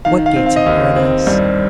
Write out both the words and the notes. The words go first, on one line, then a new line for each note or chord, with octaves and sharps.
"What gates of paradise?"
D#3 F5
F5
C4
F5
D#5
D#2 F5
C4
G2